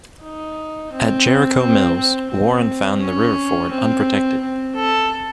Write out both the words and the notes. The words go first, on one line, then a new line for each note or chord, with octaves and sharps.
At Jericho Mills, Warren found the river ford unprotected.
D#4
C4
C4
C4
C4
C#4
C4
C4
A4